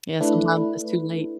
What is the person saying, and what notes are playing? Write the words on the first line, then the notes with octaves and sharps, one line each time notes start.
Yeah, sometimes it's too late.
A3 D4 E4 B4